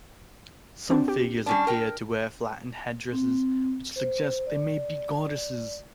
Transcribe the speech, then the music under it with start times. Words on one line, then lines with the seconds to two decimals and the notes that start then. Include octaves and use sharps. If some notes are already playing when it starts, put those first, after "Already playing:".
Some figurines appear to wear flattened headdresses, which suggests they may be goddesses.
0.90 C4 D4 F#4
1.08 G4
1.46 G3 C#4 D4
1.67 A#4 G5
3.12 C4
3.96 C5
4.46 D5